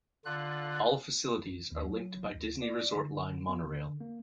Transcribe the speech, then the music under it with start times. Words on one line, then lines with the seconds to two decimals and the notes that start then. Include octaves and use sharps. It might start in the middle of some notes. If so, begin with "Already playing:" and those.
All facilities are linked by Disney Resort Line monorail.
0.25 D3 F4 F#6
1.72 D#2
1.85 F#3
2.35 D2
2.62 D5
2.96 D3
3.49 B3
3.64 D3
4.01 A#3